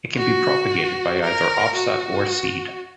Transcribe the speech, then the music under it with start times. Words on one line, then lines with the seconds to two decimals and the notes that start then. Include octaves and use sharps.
It can be propagated by either offset or seed.
0.15 F#4
1.23 A#4
1.75 F#4